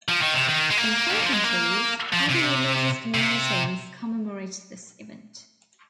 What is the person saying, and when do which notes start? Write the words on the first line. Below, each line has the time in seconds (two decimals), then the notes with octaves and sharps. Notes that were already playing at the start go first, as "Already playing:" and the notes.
In some countries, other religious communities commemorate this event.
0.09 F3
0.22 D#3
0.34 C3
0.47 D#3
0.70 G#3
0.77 A#3
1.10 D#3
1.22 F3
1.33 G#3
1.44 A#3
2.13 F3
2.29 C3
3.14 C3